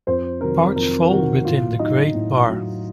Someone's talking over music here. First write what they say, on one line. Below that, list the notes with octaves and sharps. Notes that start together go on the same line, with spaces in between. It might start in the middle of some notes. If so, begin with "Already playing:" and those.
Parts fall within Great Barr.
F2 C5
C3 D#3 F#3 A#4
F2 A#4
C3 D#3 F#3 F#4
A2 F4
F#3 D#4
A2
F#3